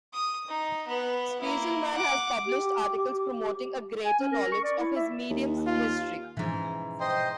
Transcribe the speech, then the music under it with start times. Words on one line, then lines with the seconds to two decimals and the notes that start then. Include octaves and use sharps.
Spiegelman has published articles promoting a greater knowledge of his medium's history.
0.13 D#6
0.48 D#4
0.87 B3 B4
1.41 A#3 E4
1.93 F#5 D6
2.47 G4
4.05 G#5
4.20 C#4
4.32 A#4
4.52 C#6
4.64 D5
4.79 E4
4.96 E5
5.30 D#2
5.66 F4
6.37 G#2 B2 E3 F3 C#4
7.00 C5 D#5 G5 C6